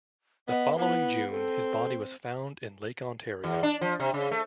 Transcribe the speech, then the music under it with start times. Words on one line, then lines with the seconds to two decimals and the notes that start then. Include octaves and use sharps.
The following June, his body was found in Lake Ontario.
0.49 B3 D#5
0.78 B3 E4
1.30 C4 A4
3.44 E2
3.63 D4
3.81 F3
4.00 C3
4.14 C#3
4.31 A3